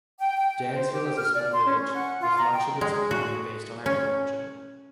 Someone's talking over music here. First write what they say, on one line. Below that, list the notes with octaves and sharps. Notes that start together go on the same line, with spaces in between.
Dansville is a small village, with much of its economy based on agriculture.
G5
G5
C5
G4
F6
D5
C6
C#4
F#5
F4
A#5
G5
G#3
F#4
C#4